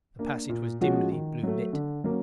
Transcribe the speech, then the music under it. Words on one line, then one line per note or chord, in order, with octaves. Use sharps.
The passage was dimly blue lit.
A#3 D4
A#2
F3 G#3 C#4 F#4
D#3
F#3 A3
D3
F#3 A#3 C#4